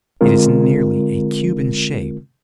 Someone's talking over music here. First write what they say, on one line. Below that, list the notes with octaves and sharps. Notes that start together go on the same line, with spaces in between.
It is nearly a cube in shape.
D3 G#3 C4 F4 A#4